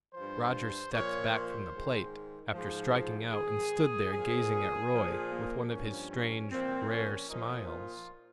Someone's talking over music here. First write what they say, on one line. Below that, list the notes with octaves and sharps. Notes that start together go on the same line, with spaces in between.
Roger stepped back from the plate, after striking out, and stood there gazing at Roy, with one of his strange, rare smiles.
G2 F3 C5
A#2 F3 C#5
C5
G#2 D#3
G#2 F3
G#2 D#3 G#4
A#2 F3 G#4
A#2 F3
A#3
G2 F3 C#4
C#4
A#2 F3 C4
C#4
A#2 F3 D#4
F4